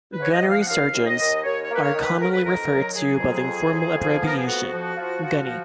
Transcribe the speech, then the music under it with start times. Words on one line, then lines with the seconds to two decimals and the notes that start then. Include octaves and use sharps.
Gunnery sergeants are commonly referred to by the informal abbreviation "gunny".
0.12 B4
0.18 G#2 C#5
0.31 D#5
0.43 F3
0.49 F5
0.61 F#5
0.68 D#2 F5
0.93 D#2
1.06 D#5
1.19 D#2
1.44 D#2 C#5
1.63 C#5
1.70 A#3 B4
1.82 C#5
1.94 D#3
2.02 B4
2.20 F2 A#4
2.32 B4
2.45 D#3 A#4
2.70 F#3
2.95 F#3 G#4
3.20 F2
3.46 F2
3.71 F2
3.96 F3
4.22 B3 A#4
4.36 G#4
4.47 F2 F#4
4.72 F3
4.96 F3
5.22 F3
5.47 F3